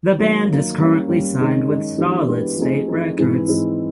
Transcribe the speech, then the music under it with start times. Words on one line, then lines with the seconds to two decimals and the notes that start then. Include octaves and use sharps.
The band is currently signed with Solid State Records.
0.18 D#3 F#3 A#3
0.49 D#3 F#3 A#3
0.79 G3 A#3 C#4
1.08 G3 A#3 C#4
1.39 D#3 G#3 C#4
1.68 D#3 G#3 C#4
1.98 E3 G#3 B3 D4 G4
2.28 E3 G#3 B3 D4 G4
2.58 F3 A3 C4 D#4 G#4
2.88 F3 A3 C4 D#4 G#4
3.18 G#2 E3 G#3 C4 E4
3.48 G#2 E3 G#3 C4 E4